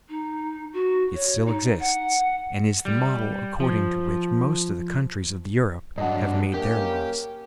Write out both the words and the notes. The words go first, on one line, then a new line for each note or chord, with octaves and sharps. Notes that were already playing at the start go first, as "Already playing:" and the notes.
It still exists, and is the model according to which most of the countries of Europe have made their laws.
D#4
F#4
C#5
D#4
F#5
G3
F3
G2 F#3 D4 D#5 F#5
A#3 C#4 G4 A#4 G5